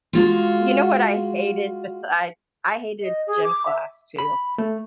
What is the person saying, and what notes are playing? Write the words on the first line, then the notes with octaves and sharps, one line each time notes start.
You know what I hated besides I hated gym class too.
G#3 F4 F#4
D#5
G#4
D6
E5
B5
A3